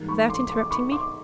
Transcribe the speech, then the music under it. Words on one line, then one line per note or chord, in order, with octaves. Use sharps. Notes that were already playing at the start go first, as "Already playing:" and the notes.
"Without interrupting me?"
Already playing: G#2 E3 G3 A#3
B5 C#6
C6 D6
C6 D6
D6
B5 C#6
C6 D6